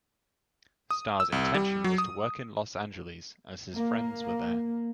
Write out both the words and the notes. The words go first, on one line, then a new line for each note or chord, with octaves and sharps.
Starr's intention was to work in Los Angeles as his friends were there.
D#6
E6
C2
G3
F#3
D#6
A#3